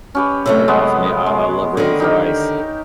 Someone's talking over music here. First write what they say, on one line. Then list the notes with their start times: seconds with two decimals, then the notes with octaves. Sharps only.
M okay, awesome. Yeah, I I love red beans and rice
0.15 C#4 G4 B4
0.46 C3 F#3 A3 E5
0.68 G#3 B3
1.26 G#3
1.77 D3 D#3
2.00 D#4 G4 A#4